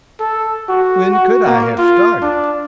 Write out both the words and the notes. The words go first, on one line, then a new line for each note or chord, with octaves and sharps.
When COULD I have started!
A4
F#4
F#4
A#3
F4
D4